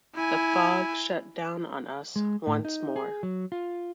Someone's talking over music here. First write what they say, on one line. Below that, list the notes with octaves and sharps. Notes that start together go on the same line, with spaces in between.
The fog shut down on us once more.
E4 G#5
G#3
A2
D#4
G#4
F#3
F4